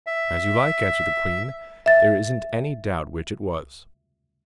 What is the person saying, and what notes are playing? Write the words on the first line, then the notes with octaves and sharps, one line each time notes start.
'As you like,' answered the queen, 'there isn't any doubt which it was.'
E5
E5 A6